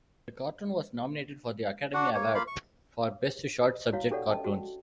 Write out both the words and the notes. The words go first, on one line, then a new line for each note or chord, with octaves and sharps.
The cartoon was nominated for the Academy Award for Best Short Subject, Cartoons.
D4 F#4 F#5
A#3 C#5
A#3 F4 F5 B5
C#6
E4 F#4 C#5 F5
D4 G4 A4 C#5 D5 F#5
C#4 D#5 G5 A5
F#4